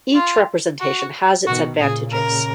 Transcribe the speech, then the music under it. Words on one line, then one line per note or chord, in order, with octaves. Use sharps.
Each representation has its advantages.
F4
F#4
B2 D#3 F#4
A#2 C#3 G#4
A#4